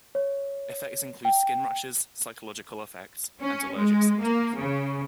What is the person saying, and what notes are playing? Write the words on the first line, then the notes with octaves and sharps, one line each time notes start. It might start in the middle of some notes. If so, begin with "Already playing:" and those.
Effects include skin rashes, psychological effects, and allergic symptoms.
C#5
G5
C#4
G#3
A#3
C#3